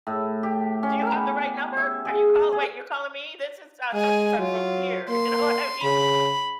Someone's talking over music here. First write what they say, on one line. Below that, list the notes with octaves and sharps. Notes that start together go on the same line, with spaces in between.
do you have the right number? Are you call wait, you're calling me? This is, uh, such and such from here," you know what I mean?
A2
G4
C#4
B3
E5
G#4
G#4
G#3 G#4 G#5
F#3 F4
A#3 C6
C#3 B5